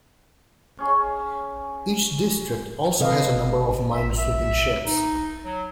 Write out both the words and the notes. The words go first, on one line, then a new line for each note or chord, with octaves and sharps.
Each district also has a number of minesweeping ships.
C#4 G#4 C#6
C3 A4 B4 D#5 F5
E5
E5
D#4
F#3